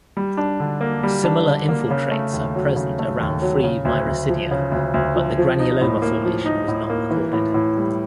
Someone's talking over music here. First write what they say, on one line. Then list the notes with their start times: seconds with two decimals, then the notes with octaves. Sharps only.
Similar infiltrates are present around free miracidia, but the granuloma formation was not recorded.
0.17 G3
0.37 D4
0.60 D3
0.81 A#3
1.03 G3
1.24 D4
1.46 D3
1.69 A#3
1.90 C#3
2.11 A3
2.33 D#2
2.55 F#3
2.76 C#3
2.99 A3
3.20 D#2
3.42 F#3
3.64 C#3
3.85 D2
4.07 D2
4.28 F3
4.51 C#3
4.72 D2
4.94 D2
5.15 F3
5.38 F3
5.59 D#4
5.81 A2
6.02 A#3
6.25 F3
6.46 D#4
6.68 A2
6.90 A#3
7.11 E3
7.33 A2
7.54 A2
7.77 G3